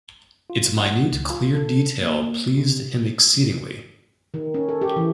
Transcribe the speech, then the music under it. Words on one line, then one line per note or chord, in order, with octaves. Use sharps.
Its minute, clear detail pleased him exceedingly.
F4
F#5
C#2
F4
A4
A#3
C3
D#3
C#4
A4
G4
E3